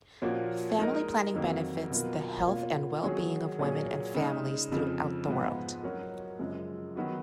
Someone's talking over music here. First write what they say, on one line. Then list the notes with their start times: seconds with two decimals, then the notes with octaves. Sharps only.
Family planning benefits the health and well-being of women and families throughout the world.
0.22 A#2 F3 A#3 C#4 F#4
0.78 G#3 D#4 A#4 D#5
1.34 F2 D#3 F#3 A#3
1.90 B2 F#3 B3 F4 A#4
2.46 B2 A#3 C#4 F4
3.03 D#3 F#3 C#4 G#4 C#5
3.59 A#2 F#3 A#3 C#4 G#4
4.15 C#3 G#3 D#4
4.71 F2 C#3 F3
5.28 G#2 F3 G#3 B3 F4
5.83 F#3 C#4 F#4 A#4
6.39 F#2 C#3 F3 G#3
6.95 D#3 F#3 B3 F#4